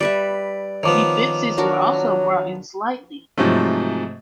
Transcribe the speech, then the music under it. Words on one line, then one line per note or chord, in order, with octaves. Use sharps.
The fences were also brought in slightly.
G3 B4 D5 E5
D#3 F3 B3 C#5 D6
F#3 D4 F#4 A#4
G#2 C3 F3 F#3 A3